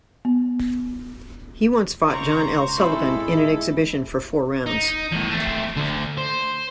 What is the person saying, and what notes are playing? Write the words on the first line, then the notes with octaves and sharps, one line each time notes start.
He once fought John L. Sullivan in an exhibition for four rounds.
B3
C#2 C5 D5 A#5 C#6
A2 G#3 C4 E4 A4 B5
D#4
E2 A2
A3 C4
D2 D3
C5